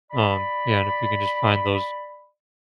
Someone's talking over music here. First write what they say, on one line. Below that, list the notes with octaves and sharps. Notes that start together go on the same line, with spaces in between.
um, yeah, and if we can just find those,
D5 B5